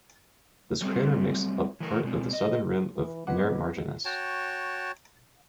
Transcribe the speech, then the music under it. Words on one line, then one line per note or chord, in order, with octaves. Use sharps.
This crater makes up part of the southern rim of Mare Marginis.
F#3 G3 A3 C4
E3 A3 A#4
B2 G#3 C4
D#5
E3
F#3 B3 C4 G#4 B4 D#5 F#5 D6
F#4 C#5 G5 A5